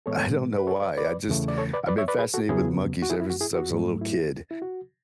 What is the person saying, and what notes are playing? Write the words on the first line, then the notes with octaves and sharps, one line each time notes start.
I don't know why, I just I've been fascinated with monkeys ever since I was a little kid,
A2 E3 G#3 B3 A4 C#5
B4
A4 C#5
B4 D5
B4 D5
E2 C#3 E3 A3
D5
A4 C#5
B4 D5
B4 D5
C#5 E5
B4 D5
G#4 B4
F#4 A4
E2 C#3 F#3 B3 E4 G#4
F#4
E4 G#4
E4
F#4
E4 G#4
F#4
G#2 F#3 A3
E4
E4
F#4